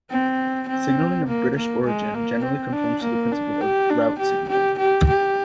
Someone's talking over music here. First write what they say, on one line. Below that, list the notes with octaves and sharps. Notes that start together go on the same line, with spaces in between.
Signalling of British origin generally conforms to the principle of "route signalling".
C4
C4
A#3
A#3
G#3
A#3
C4
D4
A#3
D4
G4
D4
G4
G4
G4
G4